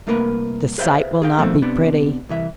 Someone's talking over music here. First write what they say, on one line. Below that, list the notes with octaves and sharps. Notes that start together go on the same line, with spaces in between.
The sight will not be pretty.
C2 A3 A#3 A#4 B4
G#4 B4 C5 E5 F5 G5
G#4 F5 G5
B2 D#3 F3 A3 C4
C3 B3 D4
C2 E3 E5